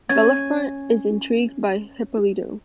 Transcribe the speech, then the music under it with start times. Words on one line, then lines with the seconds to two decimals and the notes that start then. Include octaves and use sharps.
Bellafront is intrigued by Hippolito.
0.09 C#4 G#5